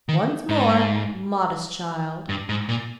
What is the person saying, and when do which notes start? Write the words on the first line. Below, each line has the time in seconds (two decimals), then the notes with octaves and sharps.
'Once more, modest child!'
0.09 D#3
0.49 G#2
2.29 G2
2.49 G#2
2.69 A#2